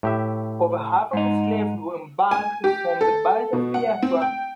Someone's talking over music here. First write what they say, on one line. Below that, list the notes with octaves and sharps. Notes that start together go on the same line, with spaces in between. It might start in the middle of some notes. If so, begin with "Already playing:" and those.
Over half of his slaves were embarked from the Bight of Biafra.
A2 G4 E5
G#2 D#4
G#5
G4
A4
B2
F#5
C4
G5